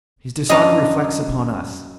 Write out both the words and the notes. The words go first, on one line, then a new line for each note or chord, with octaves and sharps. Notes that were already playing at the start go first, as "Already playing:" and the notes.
"His dishonor reflects upon us."
F#2 D4 F4 D#5 A#5